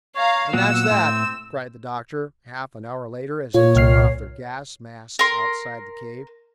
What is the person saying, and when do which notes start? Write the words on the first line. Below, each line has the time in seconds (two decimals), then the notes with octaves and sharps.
"And that's that!" cried the doctor half an hour later as they took off their gas masks outside the cave.
0.16 C#5 F5 A#5
0.53 A#2 F#3 B3 F#5 E6
0.90 A2 A3 C4
3.54 A#2 F4 C#5
3.75 C2 F6 C7
5.19 A#4 C6